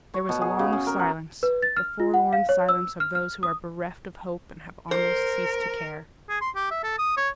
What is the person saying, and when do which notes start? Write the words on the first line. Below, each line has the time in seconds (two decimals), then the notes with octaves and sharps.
There was a long silence, the forlorn silence of those who are bereft of hope and have almost ceased to care.
0.14 C#5
0.29 B2
0.41 G#4
0.59 C#3
0.73 C#3
0.87 A#4
0.99 F#5
1.43 B4
1.62 A6
1.77 F6
2.00 F4
2.14 F#5
2.33 F5
2.49 C#5
2.69 E6
3.00 F6
3.15 F6
3.43 D#6
4.91 A#4 C5
6.30 G#4
6.41 C6
6.55 G4
6.71 E5
6.84 A4
6.99 D#6
7.17 C#5